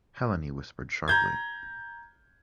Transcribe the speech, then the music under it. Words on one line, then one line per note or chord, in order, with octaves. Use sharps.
Helene whispered sharply.
A#5 G6 G#6